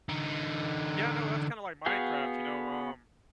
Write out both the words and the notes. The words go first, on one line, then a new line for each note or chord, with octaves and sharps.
Yeah, no, that's kinda like Minecraft, you know, um
D3 D#4
B3 F#4 G#4 F5 G5